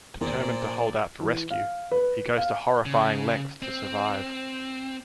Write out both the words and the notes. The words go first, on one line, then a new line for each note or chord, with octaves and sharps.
Determined to hold out for rescue, he goes to horrifying lengths to survive.
A#1 E2 A#2 D#3 G#4 C5 D5
E3
F5
B4
F5
C#3
C4